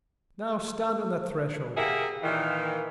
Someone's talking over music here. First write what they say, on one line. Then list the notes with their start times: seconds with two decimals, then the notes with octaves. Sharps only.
Now stand on that threshold.
1.76 A#3 G4 G#4 A#4 E5 F#5
2.23 A#2 D#3 E3